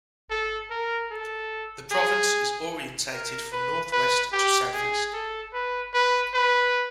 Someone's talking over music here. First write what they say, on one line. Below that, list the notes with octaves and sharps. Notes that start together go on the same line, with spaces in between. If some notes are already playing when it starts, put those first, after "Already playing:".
The province is orientated from northwest to southeast.
A4
A#4
A4
G#4
A#4
B4
B4
G4
G#4
A4
B4
B4
B4